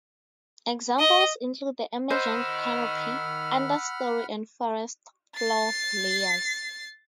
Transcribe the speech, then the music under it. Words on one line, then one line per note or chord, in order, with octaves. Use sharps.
Examples include the emergent, canopy, understorey and forest floor layers.
D#5
D#3 C5 D#5 F#5 B5 E6 F6
A6 C7